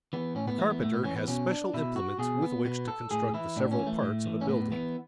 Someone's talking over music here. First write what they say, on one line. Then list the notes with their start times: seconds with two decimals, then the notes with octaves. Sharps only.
The carpenter has special implements with which to construct the several parts of a building.
0.13 E3 B3
0.35 A2 C#4
0.48 B3
0.58 E3 A3
0.70 B3
0.82 A2 A3
0.93 B3
1.04 E3 C#4
1.16 B3
1.28 B2 C#4
1.51 D4
1.74 B2 E4
1.96 F#4
2.19 B2 G#4
2.42 B3
2.65 B2 B3
2.88 A4
3.11 A2 G#4
3.34 E3 E4
3.56 A2 D4
3.71 C#4
3.79 E3
3.87 A3
4.03 A2
4.25 E3
4.41 C#4
4.48 A2 B3
4.72 E3 B3